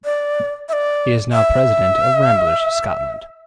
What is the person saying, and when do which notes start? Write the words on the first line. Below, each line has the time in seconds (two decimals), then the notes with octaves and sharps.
He is now President of Ramblers Scotland.
0.05 D5
0.69 E5
0.73 D5
1.33 E5